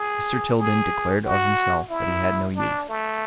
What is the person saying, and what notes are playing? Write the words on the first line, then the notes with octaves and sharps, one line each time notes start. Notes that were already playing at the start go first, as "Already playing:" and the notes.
Mr. Tilden declared of himself that he had no youth.
Already playing: G#4
G#4
F#4
E4
D4
A3